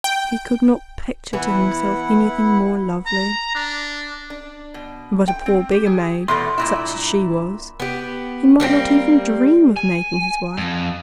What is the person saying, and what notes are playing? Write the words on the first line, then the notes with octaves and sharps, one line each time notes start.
He could not picture to himself anything more lovely. But a poor beggar-maid, such as she was, he might not even dream of making his wife.
G5
E3 B3 E4 F#5
A#5
D4
D4
B2
G5
C4
G4
G#4
E2 B2 A3 C6
G2 A#2 E4
B3 G4
G3 A#3 C4 G4
G#5
F2